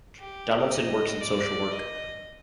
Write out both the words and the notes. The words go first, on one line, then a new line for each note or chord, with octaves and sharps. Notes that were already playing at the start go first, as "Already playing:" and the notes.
Donaldson works in social work.
G4
D#5
D5
D#5